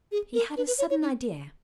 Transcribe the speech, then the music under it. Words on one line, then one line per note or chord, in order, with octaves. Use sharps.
He had a sudden idea.
G#4
A#4
B4
B4
C#5
C#5
D#4